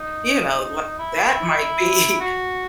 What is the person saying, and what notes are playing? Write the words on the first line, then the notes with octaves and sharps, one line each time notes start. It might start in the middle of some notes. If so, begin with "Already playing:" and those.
you know, li that might be
Already playing: D#4
E4
E4
F#4